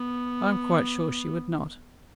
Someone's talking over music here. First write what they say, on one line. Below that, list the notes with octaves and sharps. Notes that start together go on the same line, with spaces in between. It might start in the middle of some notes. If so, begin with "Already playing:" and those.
I am quite sure she would not.
Already playing: B3